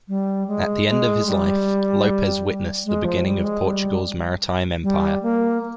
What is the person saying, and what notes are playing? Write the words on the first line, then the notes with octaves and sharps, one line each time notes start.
At the end of his life, Lopes witnessed the beginning of Portugal's maritime empire.
G3
G#3
G#3
G3
G#3
F3
G3
G#3
G3
G3
A#3